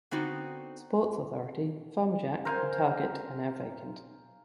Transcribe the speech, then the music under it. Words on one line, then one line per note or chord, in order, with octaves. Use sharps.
Sports Authority, Farmer Jack and Target are now vacant.
D3 B3 C4 D#4 F#4
A#4 C5 F5 G#5